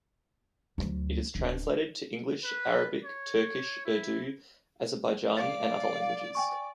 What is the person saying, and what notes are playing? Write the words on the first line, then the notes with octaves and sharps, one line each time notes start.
It is translated to English, Arabic, Turkish, Urdu, Azerbaijani and other languages.
D2 F#3
D1 D4
B4
C#5
E4
D5 F5 A6
G5 G#5 C#6